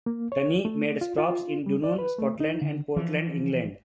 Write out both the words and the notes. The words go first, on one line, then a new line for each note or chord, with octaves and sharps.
Tunny made stops in Dunoon, Scotland and Portland, England.
A#3
C#5
A3
F4
F4
G3
D5
B4
A3
D#4
D3
E3 F3